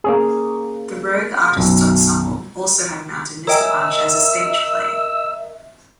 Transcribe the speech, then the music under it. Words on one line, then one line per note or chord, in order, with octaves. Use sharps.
The Rogue Artists Ensemble also have mounted Mr. Punch as a stage play.
A#3 C#4 G#4
B1 F#2
A#4 C#5 D#5 E5 G5 G#5 E6